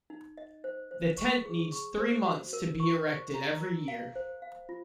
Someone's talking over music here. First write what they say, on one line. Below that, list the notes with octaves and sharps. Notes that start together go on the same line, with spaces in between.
The tent needs three months to be erected every year.
D#4
D#5
C5
C5
C#6
G#4
C#6
C5
F#4
A#4
C#6
C5
A#5
A#4
F5
C5
F5
F4